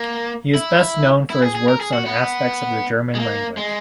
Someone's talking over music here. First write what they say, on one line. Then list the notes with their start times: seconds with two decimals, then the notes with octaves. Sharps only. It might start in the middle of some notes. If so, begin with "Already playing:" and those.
He is best known for his works on aspects of the German language.
Already playing: A#3
0.55 E4
1.30 E4
1.43 G#4
1.55 G#4
1.68 A#4
1.80 G#4
1.93 F#4
2.06 B3
3.15 G#3
3.19 A#3
3.57 G#3